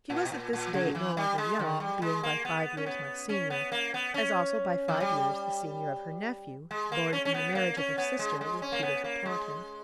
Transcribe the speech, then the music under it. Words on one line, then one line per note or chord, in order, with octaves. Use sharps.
She was at this date no longer young, being by five years my senior, as also, by five years, the senior of her nephew, born from the marriage of her sister with Peters of Taunton.
A#2
B2
A#2
A#2
C#3
E3
G3
G#3
D#3
G3
G#3
A#3
B3
C#4
B3
C#4
B3
A#3
B3
C#4
E3
G3
G#3
A#3
C#4
C#4
B3
A#3
C#4
B3
G#3
G#3
C#4
A#3
B3
A#3
G#3